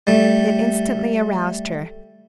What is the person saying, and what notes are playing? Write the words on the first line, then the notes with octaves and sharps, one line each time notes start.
It instantly aroused her.
G3 A3